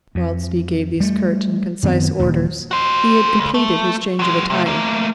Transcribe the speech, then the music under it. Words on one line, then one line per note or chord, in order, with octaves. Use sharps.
Whilst he gave these curt and concise orders, he had completed his change of attire.
F2
G3 A3
F#2 D#3 B3 C4
D#1 D#2
F#4 C5
C#2
A3
F#3 G#3
C3 A3
A3 A#3